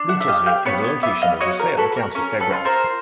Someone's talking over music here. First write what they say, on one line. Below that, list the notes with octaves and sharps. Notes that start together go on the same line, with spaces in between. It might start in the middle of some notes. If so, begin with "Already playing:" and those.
Lucasville is the location of the Scioto County Fairgrounds.
Already playing: D4
E5 F#5
E5
G4 D#5 F5
F5 G5
B3 B4 C#5
C#5 D#5
B3 D5 E5
D#5 F5
F#4 C#5 D#5
A#4
F#4 A4 B4
A#4
C#4 A#4
A4 B4
F4
A#4 C5